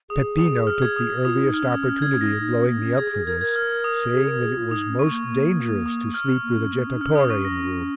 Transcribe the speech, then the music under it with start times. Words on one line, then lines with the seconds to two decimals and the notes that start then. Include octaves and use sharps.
Peppino took the earliest opportunity of blowing me up for this, saying that it was most dangerous to sleep with a jettatore in the room.
0.10 G#4 D#6
0.38 D#6
0.67 F6
0.82 G#6
0.96 D#6
1.25 F4 D#6
1.44 D#4
1.54 F6
1.63 C#4
1.82 F6
2.02 G#6
2.21 A#6
2.40 D#4
2.55 C#4
2.69 A#3
2.79 D#4
2.83 C#4
2.98 G#4 G#6
3.12 G#4
3.26 A#4 G#6
3.41 A#4 G#6
3.56 F6
3.84 D#6
4.13 G#4
4.28 A#4
4.42 G#4
4.57 F4
4.71 D#4 D#6
4.90 C#4
4.99 C#6
5.10 A#3
5.28 A#3
5.86 D#6
6.14 F6
6.43 A#3
6.58 C#4
6.73 A#3
6.87 C#4
6.96 D#4
7.01 C#4 F6
7.15 D#6
7.30 C#6
7.45 A#6